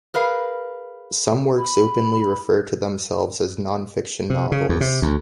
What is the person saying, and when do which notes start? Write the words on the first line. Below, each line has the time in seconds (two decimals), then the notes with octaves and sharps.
Some works openly refer to themselves as 'nonfiction novels.
0.14 G#4 A#4 B4 F5
1.58 B5
4.30 C3
4.52 C#3
4.69 E2
4.81 C3
5.02 D2